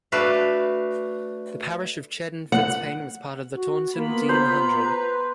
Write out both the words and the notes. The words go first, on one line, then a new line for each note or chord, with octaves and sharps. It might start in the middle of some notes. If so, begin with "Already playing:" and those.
The parish of Cheddon Fitzpaine was part of the Taunton Deane Hundred.
A3 D4 F#4 B4 F5
F#5
F#4
A#3 B3 F4 B5
C5 A#5
B4